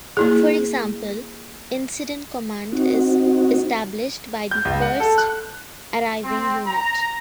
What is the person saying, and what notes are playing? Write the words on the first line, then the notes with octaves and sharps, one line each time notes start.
For example, Incident Command is established by the first arriving unit.
A#3 E4 G#4
C4 D#4 F#4
G6
C#2
F#5
A4
F#6
C4
A#5